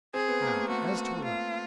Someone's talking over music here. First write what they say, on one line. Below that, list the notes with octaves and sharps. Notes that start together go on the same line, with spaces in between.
Now, as to a letter.
C4 G#4
B3
A#3
A3
A3 F#4
F4